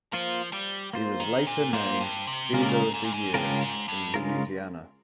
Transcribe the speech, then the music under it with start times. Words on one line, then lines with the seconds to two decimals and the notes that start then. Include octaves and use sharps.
He was later named "Dealer of the Year" in Louisiana.
0.13 F3 A#3 F4 C5
0.53 G3
0.93 A#3 F4 C5
1.20 D#3
1.47 A#2
1.73 G#2 A#3 F4 C5
2.00 G2
2.27 C3
2.53 A#2 C#3 G#3 C#4 F4 A#4
2.62 C3
2.69 A#2
2.94 G#2
3.04 A#2
3.14 G#2
3.34 G2 C#3 G#3 C#4 F4 A#4
3.61 G#2
3.88 G2
4.14 C#3 G#3 C#4 F4 A#4